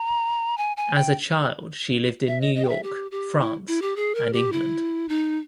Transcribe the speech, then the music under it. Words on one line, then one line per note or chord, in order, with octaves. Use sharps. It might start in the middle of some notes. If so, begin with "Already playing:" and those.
As a child, she lived in New York, France, and England.
Already playing: A#5
G#5
G#5
G5
E5
D#5
D#5
G5
E5
G4
G4
E4
E4
G4
G#4
A#4
G4
E4
D#4